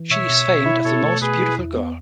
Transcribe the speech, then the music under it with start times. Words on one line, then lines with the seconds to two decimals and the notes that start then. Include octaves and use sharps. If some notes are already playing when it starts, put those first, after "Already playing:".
She is famed as the most beautiful girl.
Already playing: E3
0.10 B2 C#5 E5
0.29 B2
0.48 B2
0.66 E4
0.84 B2 A4 C#5
1.03 A3
1.21 B2 G#4 B4
1.40 E4
1.58 E2
1.77 B3